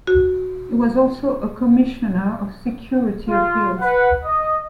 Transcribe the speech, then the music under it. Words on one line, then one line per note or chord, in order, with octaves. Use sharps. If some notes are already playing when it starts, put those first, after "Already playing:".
He was also a Commissioner of Security Appeals.
F#4
F4
B4 F#5
D#5